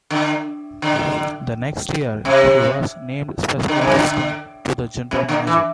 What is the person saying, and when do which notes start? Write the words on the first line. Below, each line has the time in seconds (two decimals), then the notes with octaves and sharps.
The next year, he was named special assistant to the general manager.
0.10 D3
0.82 D3
2.25 C3
3.68 D3
3.81 C3
3.95 D3
5.11 C3
5.28 D3
5.47 E3